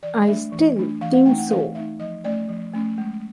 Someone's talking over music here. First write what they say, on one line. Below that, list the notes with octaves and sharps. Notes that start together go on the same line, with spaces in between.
I still think so.
E3 D5
A3 D4 E5
E3
A3 D4
E3 F5
F#5
A3 C4 D#4 G5
F#5
E3 F5
A3 C4 D#4 E5
F3 D#5
A3 C#4 D5
F3
A3 C#4
G#3